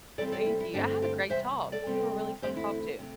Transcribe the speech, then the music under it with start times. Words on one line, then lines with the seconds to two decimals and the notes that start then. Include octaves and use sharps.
Thank you, I had a great talk. You were really fun to talk to.
0.18 C3 E3 G3 C4 A4 D5
0.32 A4 D5
0.46 E4
0.60 E4
0.73 G2 D3 A3 C4 D4 G4
1.02 G4 C5
1.30 E2 C3 G3 C5 E5
1.72 A4 D5
1.86 C3 G3 C4
2.42 E2 D3 A3 C4 G4 C5
2.56 E4
2.99 C3 A3